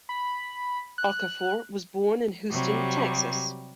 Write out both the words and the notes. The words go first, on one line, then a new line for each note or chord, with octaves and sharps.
Okafor was born in Houston, Texas.
B5
F#6
C3 F#3 G3